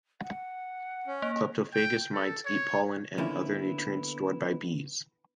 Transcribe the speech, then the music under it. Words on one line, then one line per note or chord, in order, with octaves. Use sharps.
Cleptophagous mites eat pollen and other nutrients stored by bees.
F#5
C#4
A#3 D#5
G5
A4
C#5
D3 A#3 B3 C#4 E4